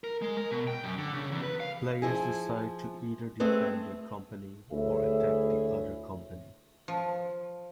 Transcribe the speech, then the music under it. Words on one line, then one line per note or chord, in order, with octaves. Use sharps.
Players decide to either defend their company or attack the other company.
A#4
G#3
A#4
B2
G5
F#2
D3
C#3
E2
B4
F5
F3 E4 G#4
A3 C4 G#4 A4 B4
D2 E4 G#4 C#5 E5
F3